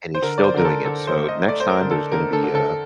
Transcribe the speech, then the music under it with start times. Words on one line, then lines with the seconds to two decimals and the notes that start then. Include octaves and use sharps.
And he's still doing it, so next time, there's gonna be a
0.15 C5
0.22 D3 A#4
0.38 D5
0.44 C5
0.54 D3 A#4
0.64 A4
0.85 D3 A4
1.07 C5
1.18 A3
1.28 D#5
1.48 A3 D5
1.60 C5
1.70 A#4
1.81 D3
1.90 A4
2.12 D3 A#4
2.33 A4
2.44 D3
2.55 A4